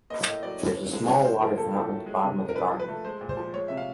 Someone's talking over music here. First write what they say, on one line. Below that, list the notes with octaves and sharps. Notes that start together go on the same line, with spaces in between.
There is a small water fountain at the bottom of the garden.
A#3 D#5
A2 D#5
F#3 D5
C#4
E3
G#3
G#3 C#5
D3 C5
F3 A#4
A#3 A4
A2
F#3
G#3
C3
F3
A#4
D4 B4
F3
B4
A3
G#3 C5
A#2
C5
F3
G#3 C#5
C3 E5
F5